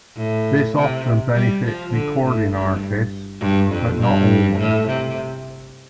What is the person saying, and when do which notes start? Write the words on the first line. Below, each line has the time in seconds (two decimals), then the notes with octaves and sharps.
This often benefits recording artists, but not always.
0.17 A2
0.76 C3
1.34 G3
1.65 F3
1.94 D3
2.23 A2
2.53 G2
3.41 G2
3.71 F2
4.00 G2
4.59 A2
4.88 C3